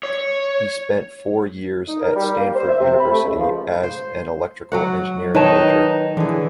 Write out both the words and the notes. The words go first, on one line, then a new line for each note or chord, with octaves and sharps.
He spent four years at Stanford University as an electrical engineering major.
C#5
D#4
A#4
G3
A#3
C5
E5
C3
B5
A3
C#2
F3
C5
F#3 F#4 F#5
D#3 D#4 B4 C#5 A5
D3 E3 G#4